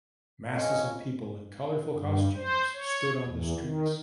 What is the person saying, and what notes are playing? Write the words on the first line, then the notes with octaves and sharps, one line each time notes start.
Masses of people in colorful costumes stood on the streets.
F2 C#4 D#5
G2
C5
C#5
E2
D#3